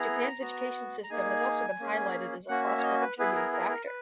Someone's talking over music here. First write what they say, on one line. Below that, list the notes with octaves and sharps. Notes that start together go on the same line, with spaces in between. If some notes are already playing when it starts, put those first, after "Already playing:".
Japan's education system has also been highlighted as a possible contributing factor.
Already playing: B3 E4 G#4 A#5
B3 F#4
A#5
A#3 D#4 G#4 G#5
A#3 C#4 G#4
A#3 C#4 F#4 F#5
E5
C#5
D#5
B4
B3 E4 G#4 B4
A#4
A#4
A#4
B4